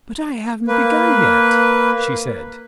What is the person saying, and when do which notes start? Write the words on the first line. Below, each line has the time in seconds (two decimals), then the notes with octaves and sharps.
"But I haven't begun yet," she said.
0.68 A#3 B4